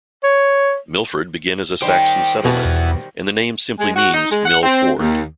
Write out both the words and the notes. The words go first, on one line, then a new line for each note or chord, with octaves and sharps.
Milford began as a Saxon settlement, and the name simply means "mill ford".
C#5
D#3 G3 G4 C5
B2 E3 B3
E2
G#3
F#4
D#4
G#3
F#5
C4
D#2